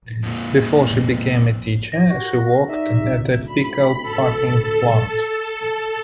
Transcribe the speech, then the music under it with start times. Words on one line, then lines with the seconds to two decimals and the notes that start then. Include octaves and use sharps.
Before she became a teacher, she worked at a pickle-packing plant.
0.23 F2 A#2
1.92 A2 A#6
2.10 F#4 G4
2.23 A#4
2.68 D#4 D5 E5
3.46 B5
4.03 A4